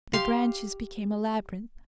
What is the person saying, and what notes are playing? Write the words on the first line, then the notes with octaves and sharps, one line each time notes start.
The branches became a labyrinth.
G4 F5 C6